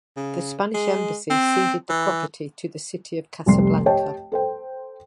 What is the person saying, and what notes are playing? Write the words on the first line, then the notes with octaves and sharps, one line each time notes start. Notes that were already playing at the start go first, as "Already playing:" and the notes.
The Spanish Embassy ceded the property to the city of Casablanca.
C#3
G#3
C4
E3
F1 C2 G3 C6 C7
G4 C#5 D#5 G5 A5
A4 C5 G5